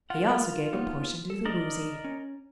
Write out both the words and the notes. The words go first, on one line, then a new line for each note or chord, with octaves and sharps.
He also gave a portion to the Woozy.
F4 A#4 F#5
A#3 B3 D#4
A4
D4 A#4 D5 D#5
C#4